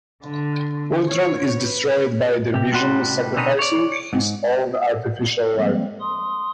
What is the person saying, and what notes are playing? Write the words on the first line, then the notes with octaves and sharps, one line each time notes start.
Ultron is destroyed by the Vision, sacrificing his own artificial life.
D3
C#5
B4
C3 G4
C2 A2 G3 F#4 C6
B2 D3 C4 C#4 D#4 B4
C#5 D5
G#2
F3 G3 G#3 A#3 C4
C6 D#6